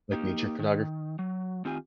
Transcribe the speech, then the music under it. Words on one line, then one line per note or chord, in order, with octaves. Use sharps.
Like nature photograph
A#3 D#4 G4
D#3
F#3
D#3 C4 F4 G4 G#5